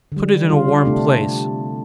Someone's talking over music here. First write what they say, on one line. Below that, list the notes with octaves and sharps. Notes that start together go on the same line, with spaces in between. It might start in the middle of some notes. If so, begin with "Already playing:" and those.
Put it in a warm place.
D3 G3
D3 G3 F4
G4
C3 A3 D4